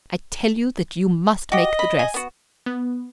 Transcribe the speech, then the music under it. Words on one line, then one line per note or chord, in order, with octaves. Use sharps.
I tell you that you must make the dress.
F#4 G4 D#5
B5
G#5
B3 F#4
B3